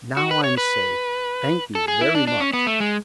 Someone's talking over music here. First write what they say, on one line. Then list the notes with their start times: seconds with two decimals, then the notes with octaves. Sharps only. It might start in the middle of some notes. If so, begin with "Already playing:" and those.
'Now I'm safe; thank you very much.
0.17 F#4
0.31 B4
0.44 C#5
0.57 B4
1.75 A4
1.88 G#4
2.01 E4
2.15 D4
2.27 D4
2.40 C#4
2.53 B3
2.67 A3
2.80 G#3